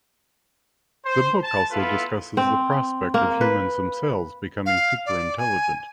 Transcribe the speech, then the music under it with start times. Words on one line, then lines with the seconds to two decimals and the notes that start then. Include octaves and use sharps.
The book also discusses the prospect of humans themselves becoming super-intelligent.
1.05 C5
1.42 A5
1.71 B3 E4 F4 A4 B4 F5
2.37 C4
3.14 A#3
3.41 B4
4.66 F5
5.06 D5
5.38 G#5